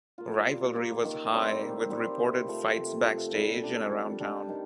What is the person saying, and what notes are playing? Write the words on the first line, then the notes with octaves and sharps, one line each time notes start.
Rivalry was high with reported fights backstage and around town.
A#3 F4
G3
A#3 F4
D#3
G3 C4 G4
D#3
G3 C4 G4
C3
F3 A3
C3
F3 A3
G3
D4 G4
G3
D4 G4
D#3